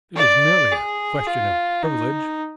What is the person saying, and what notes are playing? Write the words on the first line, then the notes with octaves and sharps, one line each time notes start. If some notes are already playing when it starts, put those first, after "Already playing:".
"It is merely a question of privilege."
D5
G#4
F4
D#4